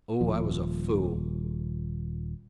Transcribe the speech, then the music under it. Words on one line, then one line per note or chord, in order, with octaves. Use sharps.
Oh, I was a fool!
D#1 F3